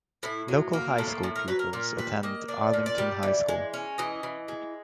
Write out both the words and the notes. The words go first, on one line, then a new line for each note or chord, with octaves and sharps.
Local high school pupils attend Arlington High School.
A2 E4
F#3
A#3
A2 A4
A2
A#4
F#3 B4
A#4
A#2 A#4
G3 B4
A#3 D#5
D4 D5
A#2
D5
G3
E3
G#3
C#4
E3 D#5
E3
G#3